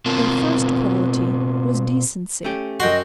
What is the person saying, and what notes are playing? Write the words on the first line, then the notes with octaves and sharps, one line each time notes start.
Their first quality was decency.
B2 C4 F4 A#4 A5
A3 C#4 G4
F#2 F#4 D#5 G5 C6